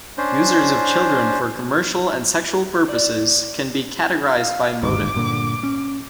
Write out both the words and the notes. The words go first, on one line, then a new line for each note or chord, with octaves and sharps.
Users of children for commercial and sexual purposes can be categorized by motive.
C#4 D4 C5
D5
F5
G1 D#2 G#2 D6
G2 A#2 D3
C#4